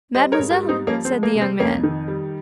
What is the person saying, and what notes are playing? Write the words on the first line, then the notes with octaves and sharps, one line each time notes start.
"Mademoiselle!" said the young man.
G3 C5 D#5
A#4 C#5
G#2
G4 A#4
G3
C4 D#4
F3 A#3 C#4
C4
G#3
A#3
C3
C4
F2 A#3 C#4
D#3
G3